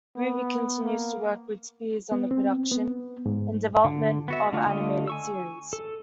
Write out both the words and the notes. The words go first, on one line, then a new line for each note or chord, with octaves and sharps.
Ruby continues to work with Spears on the production and development of animated series.
B3
A#3
B3
C4
B3
G#2
D3
B3 F#4 E5
D3 A3 F4 F#4
D3 A3 F4 D#5
G#5 C#6 E6
A4